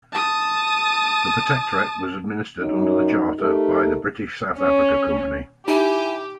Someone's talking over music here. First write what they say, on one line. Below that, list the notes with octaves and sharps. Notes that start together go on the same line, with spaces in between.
The protectorate was administered under charter by the British South Africa Company.
A5 D#6
F#2 D#4
A3 D#4 G4 A#4
C#4
D#4 E4 G4 G#5